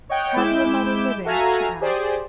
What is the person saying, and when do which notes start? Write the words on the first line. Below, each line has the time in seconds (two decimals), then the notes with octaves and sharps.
"Have you a mother living?" she asked.
0.09 C#5 D#5 F#5 G5
0.37 G#3 E4 D6 G6 E7
1.25 F#4 A4 E5 F5 G#5 A#5
1.80 G4 G#4 C5 D5